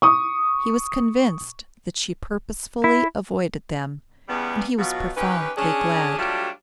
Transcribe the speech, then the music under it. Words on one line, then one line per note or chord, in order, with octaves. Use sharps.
He was convinced that she purposely avoided them and he was profoundly glad.
C#6 D#6
E4
E2 C#3 G3 B3
B2 F#3 F4
D#3 C#4 G4 B4
C#4 D4 G#4
F#3 G3 A3 D4 F4 G4